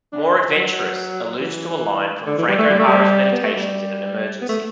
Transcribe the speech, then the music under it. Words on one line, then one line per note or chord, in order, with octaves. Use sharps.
"More Adventurous" alludes to a line from Frank O'Hara's Meditations in an Emergency.
D4
F#3
E3
D3
E3
G3
A3
G3
A3
G3
B3
A3
G3
B3
A3